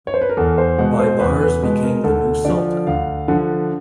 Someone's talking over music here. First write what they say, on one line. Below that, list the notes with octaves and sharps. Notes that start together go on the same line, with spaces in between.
Baibars became the new Sultan.
C#5
C5
B4
A#4
E2 A4
C5
B2 G#3 F#5
C5
E2 B4
B4
B2 G#3 B4
A#4
D2 A4
D3 F3 D5
D2 F5
D3 F3 F#5